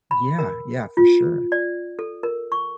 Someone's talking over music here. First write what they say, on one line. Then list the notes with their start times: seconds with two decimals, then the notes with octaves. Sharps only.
Yeah, yeah, for sure.
0.11 B5
0.39 A#4
0.97 F4
1.52 D5
1.99 A4
2.23 A#4
2.52 C#6